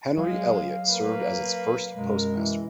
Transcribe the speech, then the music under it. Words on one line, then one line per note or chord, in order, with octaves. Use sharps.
Henry Elliott served as its first Postmaster.
F#3 G#3 F5
A#3 B4
F#2 B2 G#3 A#4
E3